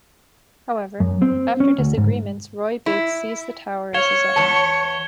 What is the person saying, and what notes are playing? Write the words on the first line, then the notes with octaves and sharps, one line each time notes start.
However, after disagreements, Roy Bates seized the tower as his own.
F#2
C4
C#4
D2
G#2
E4
C#5 F5 G#6 E7 G7
E2 B3 A5